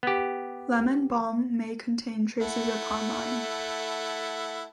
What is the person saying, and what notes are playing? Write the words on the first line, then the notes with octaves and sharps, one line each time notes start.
Lemon balm may contain traces of harmine.
B3 G4
A3 E4 F#5